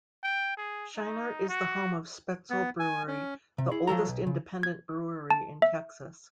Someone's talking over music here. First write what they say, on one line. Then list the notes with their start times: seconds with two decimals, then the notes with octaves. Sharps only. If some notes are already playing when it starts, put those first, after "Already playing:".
Shiner is the home of the Spoetzl Brewery, the oldest independent brewery in Texas.
0.24 G5
0.57 G#4
0.97 D#4
1.49 F#4
2.50 B3
2.80 G#5
3.08 C#4
3.58 C3
3.71 E4 G#4
3.87 F3 F#3 A4 A#5
4.08 B1
4.27 C#3
4.63 G#6
5.31 A5
5.62 E5